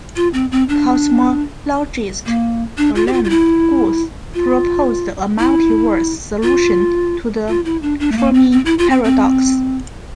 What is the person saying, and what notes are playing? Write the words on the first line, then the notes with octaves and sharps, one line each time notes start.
Cosmologist Alan Guth proposed a multi-verse solution to the Fermi paradox.
F4
C4
C4
D4
A#3
D4
F4
G4
F4
F4
E4
F4
E4
F4
F4
E4
D4
D4
A3
A#3
C4
C4
E4
F4
C4
C4